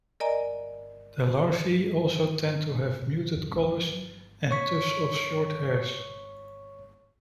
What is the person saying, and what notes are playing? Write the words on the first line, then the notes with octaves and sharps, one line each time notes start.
The larvae also tend to have muted colors and tufts of short hairs.
A#4 D5 D#5 G#5 A#5
B2
E2 G2 C3 F3
B1 G#3 C#4
F3 G#3
F#3
C#5 C#6 B6